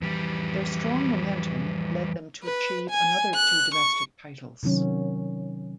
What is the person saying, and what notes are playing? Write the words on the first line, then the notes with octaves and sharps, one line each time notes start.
Their strong momentum led them to achieve another two domestic titles.
F2 E3 G3
B4
G#5
F#6
C#6
C3 D#3 F#3 C#4